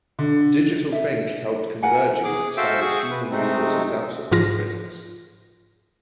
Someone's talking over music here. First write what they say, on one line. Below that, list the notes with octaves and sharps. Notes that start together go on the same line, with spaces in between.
DigitalThink helped Convergys expand its human resources outsourcing business.
D3
E5
F4 A#4 F#5 G#5
G#4 D6
F#4 A4 C5 E5 F5 G5
F#4 G#4 C#6
B4
C3 G#3 A3 C4 D#4
G#2 F3 F4 A#6